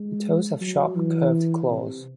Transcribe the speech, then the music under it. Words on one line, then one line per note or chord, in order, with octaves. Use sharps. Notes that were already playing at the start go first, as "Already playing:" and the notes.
The toes have sharp, curved claws.
Already playing: G#3
F#3
E3
C3